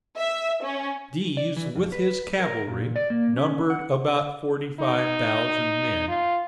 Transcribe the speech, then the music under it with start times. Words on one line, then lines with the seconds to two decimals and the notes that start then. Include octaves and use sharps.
These, with his cavalry, numbered about forty-five thousand men.
0.18 E5
0.63 C#4
1.37 D5
1.56 E3
1.75 F2
1.92 B4
2.40 A#4
2.67 A#2
2.96 D5
3.10 A#3
3.37 C#4
3.70 F#5
4.80 D#4
6.08 F4